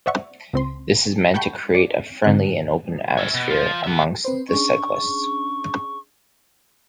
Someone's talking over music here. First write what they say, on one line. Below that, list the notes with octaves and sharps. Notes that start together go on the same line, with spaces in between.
This is meant to create a friendly and open atmosphere amongst the cyclists.
C5 D5 E5 F#5 C#6
C#2 C4 C6
F#5 G5 A5 B5 C#6 G6
D5
G#2 D3 C4 F#6
C#5 E5
B2
F4 C5
B3 E5
C4 B4 C5
C#4 D4 G#4 C#6